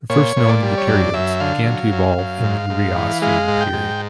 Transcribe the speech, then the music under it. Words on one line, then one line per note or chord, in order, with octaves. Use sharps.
The first known eukaryotes began to evolve in the Rhyacian period.
A#2 C#5
A#2
D5
G3
C#5
F#2 D5
F#2 E5
D3 F5
F#3
F#2
F#2
G#2
G#2
E3
G#3 F5
G#2
G5
G#2